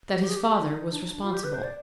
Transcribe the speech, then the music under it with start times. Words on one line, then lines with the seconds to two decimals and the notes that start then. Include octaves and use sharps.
That his father was responsible.
0.20 G4
0.29 G#4
0.36 G4
0.44 G#4
0.51 G4
0.62 D#4
0.93 D4
1.03 D#4
1.13 D4
1.23 F4
1.33 G4
1.44 B4
1.54 C5
1.63 D5